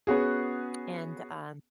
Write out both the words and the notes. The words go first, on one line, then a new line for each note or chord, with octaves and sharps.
and, um
B3 C#4 F#4 G#4